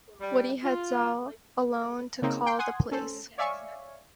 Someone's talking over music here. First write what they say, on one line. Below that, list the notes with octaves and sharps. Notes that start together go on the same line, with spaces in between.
Woody heads out alone to call the police.
G3
F4
C#3 A#3 C4 D#4
G5 C6 G6
F#5 G#5 C6 D#6
C#4 A4 C5
C#5 D5 E5 F5 G#5 C#6